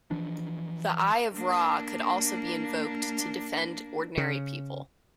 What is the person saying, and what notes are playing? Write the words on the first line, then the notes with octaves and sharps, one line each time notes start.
The Eye of Ra could also be invoked to defend ordinary people.
E3 F3 D4
A#3 D4
C#3